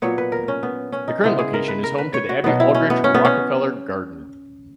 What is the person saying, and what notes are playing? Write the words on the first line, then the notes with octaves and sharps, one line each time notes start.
The current location is home to the Abby Aldrich Rockefeller Garden.
A#2 F#3 B3 C#5
B4
A#4
C#4
B3
C#4
D#4
C#3 G#3 B3 E4
G#4
A#4
B4
A#4
B4
C#5
F#4
B2 F#3 B3
E4
C#4
B3
C#4
B3
C#4